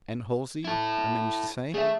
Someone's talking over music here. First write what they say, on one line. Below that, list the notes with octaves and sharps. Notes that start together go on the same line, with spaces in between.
"And Halsey?" I managed to say.
E4 A4
A3 G#4 E5